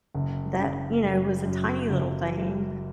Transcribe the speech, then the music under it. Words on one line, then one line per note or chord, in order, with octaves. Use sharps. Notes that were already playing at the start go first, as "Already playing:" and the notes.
that, you know, was a tiny little thing,
F#1
C#3
F#2
F#2
F#1